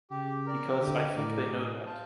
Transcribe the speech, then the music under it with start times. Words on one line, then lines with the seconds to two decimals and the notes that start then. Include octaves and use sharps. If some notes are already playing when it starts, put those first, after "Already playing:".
Because I think they know that.
0.11 C#3 G4
0.46 A#4 D5
0.81 D3 G4
1.16 A2 A#4 D5
1.50 A2 G#4
1.86 C5 F5 A5